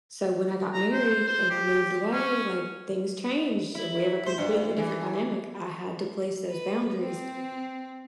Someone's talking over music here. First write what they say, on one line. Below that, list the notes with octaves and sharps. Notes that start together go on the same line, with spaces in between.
So, when I got married and I moved away, like, things changed and we have a completely different dynamic. I had to place those boundaries
A#5
C5
C5
G4
C#4
E4
C5
G2
E3
B4
C4